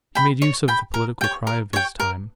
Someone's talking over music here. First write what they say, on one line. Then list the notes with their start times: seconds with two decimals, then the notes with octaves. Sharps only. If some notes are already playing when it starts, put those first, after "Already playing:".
He made use of the political cry of his time.
0.15 G5 B5
0.42 C#5
0.68 G5 B5
0.94 A#4
1.21 C#5 G5
1.47 A#4
1.73 C#5 G5
2.00 A#4